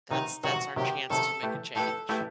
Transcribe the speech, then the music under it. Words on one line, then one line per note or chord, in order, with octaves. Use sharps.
that's that's our chance to make a change.
C3 D#3 F#3 D#4
C3 D#3 F#3 F#4
C3 D#3 F#3 G4
C3 D#3 F#3 A4
A3 E4 G4 B4
A3 E4 G4 A4 B4
A3 E4 G4 B4